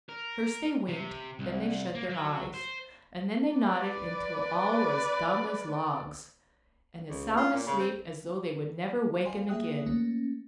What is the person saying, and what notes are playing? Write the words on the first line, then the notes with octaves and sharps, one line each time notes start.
First they winked, then they shut their eyes, and then they nodded until all were as dumb as logs, and as sound asleep as though they would never waken again.
A#4
C3
C2
A#3
F#3
C5
B4 D5
C#2
F4
A#2
C#3
C4
C5 D5 F5 G5 G#5 C6
A#3 G#4 E5 G5 D#6 F#6
A3 A#3 C#4